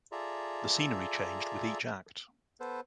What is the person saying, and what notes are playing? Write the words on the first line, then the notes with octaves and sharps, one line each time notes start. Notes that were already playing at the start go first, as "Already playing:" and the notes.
The scenery changed with each act.
F4 G#4 A4 D5 E5 A#5
B3 A4 B4 C5